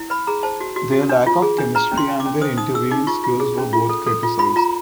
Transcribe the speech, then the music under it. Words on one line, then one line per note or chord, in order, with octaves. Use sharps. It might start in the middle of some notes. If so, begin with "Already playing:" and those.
Their lack of chemistry and their interviewing skills were both criticized.
Already playing: E4
B4 B5
G#4 A#5
C5 A5
F#4
F#4
F#4
D4
F4
G#4
D4
B4 A#5
C#4
C6
C#4
D6
C#4
C5 D#6
D#4 D#6
G#4 E6
D#4 D6
F4 C#6
F4
G#4
C#4
F4
A4
A4
F4
F4 B5
F4 A#5